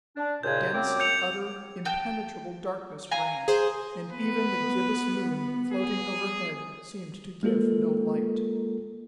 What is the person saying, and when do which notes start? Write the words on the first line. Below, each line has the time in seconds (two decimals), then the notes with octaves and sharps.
Dense, utter, impenetrable darkness reigned, and even the gibbous moon, floating overhead, seemed to give no light.
0.16 D4
0.43 D#2 A#2 C#3 G6 G#6
0.74 F#2 C4 D6
1.00 G6 C#7 F7
1.85 G5 A5 G6
3.11 F5 G#5 A#5
3.48 G#4 C5
4.10 B3 B4
5.73 G#4
7.43 G#3 A#3 F4 A4 A#4